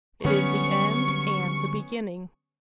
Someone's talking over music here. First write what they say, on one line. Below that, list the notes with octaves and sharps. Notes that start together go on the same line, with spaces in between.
It is the end and the beginning.
D3 F#3 G3 B3 C#4 C#6